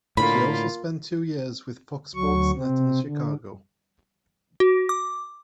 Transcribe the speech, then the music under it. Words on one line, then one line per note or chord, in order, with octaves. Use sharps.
She also spent two years with Fox Sports Net in Chicago.
A2 D3 A#3 F4 B5
D2 F#3 C#6
C3 C4
D3
F#4
D6